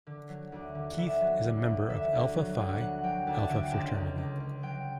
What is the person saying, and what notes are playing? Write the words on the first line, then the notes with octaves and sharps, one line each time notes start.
Keith is a member of Alpha Phi Alpha fraternity.
D3
F#3
D2
D3
D2 E5 F#5
F#3
D2
D2
D3 E5
D2
F#3
D2
F#3 F#5
F#3 G5
D2 A5
A5
D3 G5
C#2 A5
C#2
C#2
C#2
F#3 G5